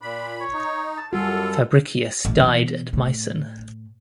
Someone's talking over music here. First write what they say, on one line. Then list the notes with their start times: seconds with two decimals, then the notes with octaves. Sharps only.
Fabricius died at Meissen.
0.02 A#2 D4 B5
0.41 C#5
0.54 D#4
0.98 A5
1.13 F#2 G3 F4 F#4 A4
2.25 A1
2.40 B2 E3
2.93 A2